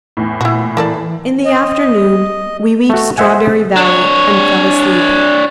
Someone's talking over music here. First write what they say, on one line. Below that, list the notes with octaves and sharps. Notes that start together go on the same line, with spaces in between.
In the afternoon we reached Strawberry Valley and fell asleep.
E2 A2
A#2 E4 F#4
E3 A#3 A4 D5
D#5
A3 F#4
C5 D#5 E5 F#5 G#5
D4 C#5